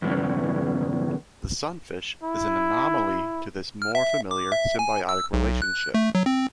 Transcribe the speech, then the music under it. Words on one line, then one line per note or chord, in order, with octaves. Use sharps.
The Sunfish is an anomaly to this more familiar symbiotic relationship.
E2 G2 C#3
E4
F6
E5
D6
E5
G#5
E6
B1
F#6
A3
F#3
C4